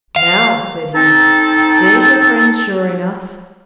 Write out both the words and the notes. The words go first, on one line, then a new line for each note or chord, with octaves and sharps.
"Now," said he, "there's your friends, sure enough."
F5
C4 D#4 A4